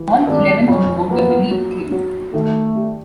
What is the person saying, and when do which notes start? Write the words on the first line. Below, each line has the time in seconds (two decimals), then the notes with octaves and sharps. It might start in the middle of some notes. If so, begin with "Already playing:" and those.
All eleven on board were believed killed.
Already playing: E3
0.27 G#1 D4
0.68 F2 C#4
1.10 A#3 B3
1.51 F#3
1.92 F#3
2.33 D#3 A3
2.75 G3